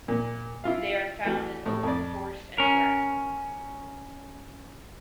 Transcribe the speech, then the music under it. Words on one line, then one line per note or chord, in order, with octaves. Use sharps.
They are found in open forest and grassland.
A#2
E4 F4 F5
E3 A3 F#4
A2
F2 D5
C#4 A#4